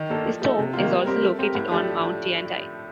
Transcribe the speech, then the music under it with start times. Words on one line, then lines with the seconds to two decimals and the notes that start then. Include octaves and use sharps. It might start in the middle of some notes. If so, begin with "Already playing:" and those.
His tomb is also located on Mount Tiantai.
Already playing: D#3
0.09 A#3 D4 A4
0.25 F3
0.42 A3 D#4 A4
0.58 C3
0.73 D#3 A#3 F4
0.90 G3
1.06 C4 G4 A#4
1.23 A3
1.39 C4 G4 A#4
1.55 A2
1.72 F3 A3 D4 G4